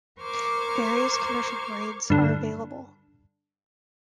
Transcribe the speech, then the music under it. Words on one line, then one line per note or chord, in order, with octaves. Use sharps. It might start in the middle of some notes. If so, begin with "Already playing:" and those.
Various commercial grades are available.
A#4 C5 C#6 D6 F6 G#6
G2 D3